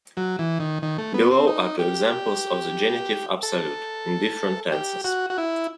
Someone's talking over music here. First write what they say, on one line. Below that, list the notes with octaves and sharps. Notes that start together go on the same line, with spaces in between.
Below are two examples of the genitive absolute, in different tenses.
F#3
E3
D#3
D#3
A3
B3
C4
D#4
G4
A4
G4
F#4
F#4
E4